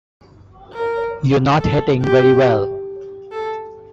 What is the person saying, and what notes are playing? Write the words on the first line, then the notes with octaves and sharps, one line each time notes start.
You're not hitting very well.
A#4
A4
G4
A4